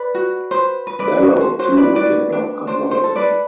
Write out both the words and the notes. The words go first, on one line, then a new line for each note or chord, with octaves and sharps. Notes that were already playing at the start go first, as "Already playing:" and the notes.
Bello too did not consult me.
Already playing: B4 D5
F#4
B4 C5
B4
B4 D5
F#4
C5
F#4 C5
B4 D5
F#4 B4 D5
D4
D4 C5
C5
A4
B4 D5